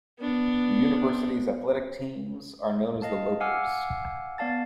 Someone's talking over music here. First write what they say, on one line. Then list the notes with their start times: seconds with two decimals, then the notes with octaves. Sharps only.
The university's athletic teams are known as the Lopers.
0.20 B3 D4
3.02 D#5 F5 A5
3.40 F5 F#5 G#5 D6 E6 F6
4.38 B3 D5 F5 A5 A6